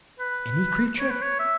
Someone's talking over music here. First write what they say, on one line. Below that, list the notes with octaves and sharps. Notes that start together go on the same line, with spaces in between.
"Any creature?"
B4
C#5
B4
C#5
E5